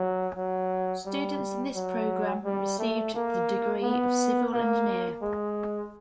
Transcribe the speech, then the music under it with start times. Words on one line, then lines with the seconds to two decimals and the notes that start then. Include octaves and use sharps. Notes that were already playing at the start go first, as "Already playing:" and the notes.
Students in this program received the degree of civil engineer.
Already playing: F#3
0.36 F#3
1.07 G3
1.75 F#3
2.45 G3
2.79 A3
3.14 A#3
3.83 B3
4.53 A#3
5.22 G#3